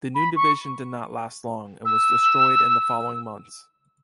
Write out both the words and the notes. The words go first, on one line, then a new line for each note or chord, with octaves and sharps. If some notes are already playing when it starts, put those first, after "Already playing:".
The new division did not last long and was destroyed in the following month.
B5
C#6
E6